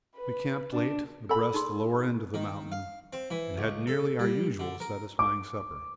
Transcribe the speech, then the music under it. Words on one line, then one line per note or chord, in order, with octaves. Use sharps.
We camped late, abreast the lower end of the mountain, and had nearly our usual satisfying supper.
B4
D4
A4 B5 E6
D#4 G#4 C6
D#3
F5
C4
E3
C#2
A4
G3
D3
A#4
D6